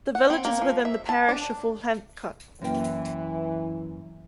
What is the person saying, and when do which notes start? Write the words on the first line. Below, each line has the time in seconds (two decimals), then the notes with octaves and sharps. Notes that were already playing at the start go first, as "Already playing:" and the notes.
The village is within the parish of Wolfhampcote.
0.15 F#5
0.30 C4
0.45 A#3
0.62 F3
0.85 E5
1.09 A5
1.29 D4
2.62 F#2 E3 A#3 G5